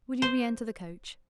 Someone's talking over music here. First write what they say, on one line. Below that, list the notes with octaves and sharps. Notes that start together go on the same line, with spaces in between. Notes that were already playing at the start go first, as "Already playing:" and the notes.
Will you re-enter the coach?
C5